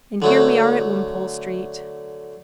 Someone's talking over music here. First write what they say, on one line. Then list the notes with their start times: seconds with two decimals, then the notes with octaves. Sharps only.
And here we are at Wimpole Street.
0.22 D3 F#3 A3